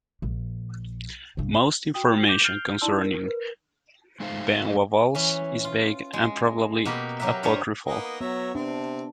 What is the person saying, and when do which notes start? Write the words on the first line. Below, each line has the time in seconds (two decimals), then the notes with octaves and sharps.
Most information concerning Ben Wa balls is vague and probably apocryphal.
0.22 A#1
1.37 C2 G2
1.94 F#4 G5 D#6
2.29 D6 G6 A#6
2.42 F6 G6 C7 D7 F7 G7
2.81 D#4 E4 D5 A5 C6 E6
3.01 A#4
3.25 A#4 B4
4.20 G#3 A3 D#4 C5 F5
5.15 E3 C#4
5.64 F4
6.13 G#3
6.85 B2 A#3 G4 A#4 B5
7.20 F#3 G4 A#4 B4 E5
7.43 G2 G3 F4 C5 C#5
7.86 A#3 B3 D#4
8.21 F#3 B3 C#5 E5 A#5
8.55 C3 C4 D4